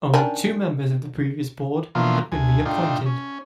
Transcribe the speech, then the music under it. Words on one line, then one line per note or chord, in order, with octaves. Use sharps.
Only two members of the previous board had been reappointed.
D#3 C#4 D4
B2 D3 E3 F3 A#3 F4
D2 G#5
A2 D4 D#4 F4 G5
C#4